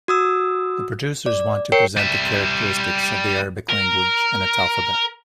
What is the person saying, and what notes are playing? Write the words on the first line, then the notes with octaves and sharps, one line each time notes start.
The producers wanted to present the characteristics of the Arabic language and its alphabet.
F#4 D#6 E6
D5
A#4 C#5 G5 C7 C#7
G3 E5
A#4